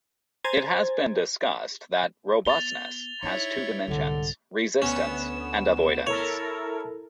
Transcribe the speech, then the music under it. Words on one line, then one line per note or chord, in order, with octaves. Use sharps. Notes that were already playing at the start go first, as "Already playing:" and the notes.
It has been discussed that robustness has two dimensions: resistance and avoidance.
C5 G#5 A#5 C6 G#6 A6
B3 A6 F7 G7
D#4 E4 C#5
C2 G#2 D3
D2 B3 C#4 E7
E4 A4 A#4 C#5